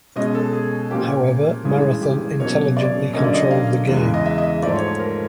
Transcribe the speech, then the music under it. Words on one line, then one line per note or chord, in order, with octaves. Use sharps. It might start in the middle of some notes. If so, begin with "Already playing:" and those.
However, Marathon intelligently controlled the game.
B2 G#3 C#4 D#5
A4
G#4
A#2 F3 A#3 C#4 G4
G2 E3 G#3 C#4 G#4
G4
B2 F#3 A#3 C#4 C#5
D5
D3 F#3 A#3 C#4 D#5
D5
D#5
F5
E2 C#3 E3 G#3
D#5
E5
D#5
E5
G#2 F3 A3 D5
C#5
A#4